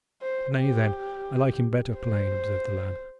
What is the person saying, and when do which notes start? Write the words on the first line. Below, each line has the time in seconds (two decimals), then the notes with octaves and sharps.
"Nay, then, I like him better plain," observed the lad.
0.22 C5
0.57 G4
1.99 C5